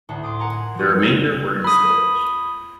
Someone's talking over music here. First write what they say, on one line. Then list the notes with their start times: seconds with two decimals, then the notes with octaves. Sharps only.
The remainder were in storage.
0.09 D2 A2 A4 F#5
0.22 C6 D6 D#6 C7
0.39 A#4 F#5 G#5 A#5
0.75 F3 F#4
1.64 B5 D#6